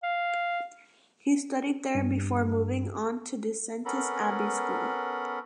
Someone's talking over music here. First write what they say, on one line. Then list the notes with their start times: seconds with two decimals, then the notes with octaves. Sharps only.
He studied there before moving on to Disentis Abbey school.
0.03 F5
1.95 G2
3.85 B3 C#4 A4 A#4 B5